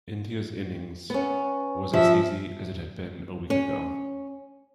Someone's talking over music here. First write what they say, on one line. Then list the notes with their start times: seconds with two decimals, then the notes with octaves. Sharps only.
India's innings was as easy as it had been a week ago.
1.10 B3 C#4
1.93 F3 E5
3.50 C#4